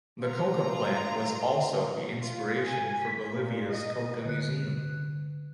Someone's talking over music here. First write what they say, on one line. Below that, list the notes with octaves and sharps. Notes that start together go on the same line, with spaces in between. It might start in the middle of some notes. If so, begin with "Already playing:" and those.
The coca plant was also the inspiration for Bolivia's Coca Museum.
F4 A#5
F4
G#5
B6
A#2
D#5
D3 F#6